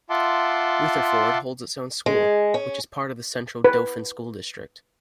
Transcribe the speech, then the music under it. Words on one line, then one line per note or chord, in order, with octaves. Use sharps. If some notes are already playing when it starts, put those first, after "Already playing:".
Rutherford holds its own school, which is part of the Central Dauphin School District.
F4 E5 F#5 A5 C6 D6
G#3
C#4
B4